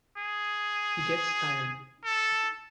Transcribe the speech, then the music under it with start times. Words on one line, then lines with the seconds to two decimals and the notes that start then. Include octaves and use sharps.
He gets tired.
0.17 G#4
2.04 A4